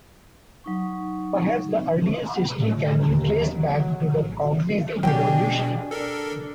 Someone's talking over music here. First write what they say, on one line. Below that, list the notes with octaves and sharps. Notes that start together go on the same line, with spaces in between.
Perhaps the earliest history can be traced back to the cognitive revolution.
F#3 D#4 C#6
A2
D#2
F#3
A1
B2 F#3 D4 G4 G#4 G5
D4 A4 A#4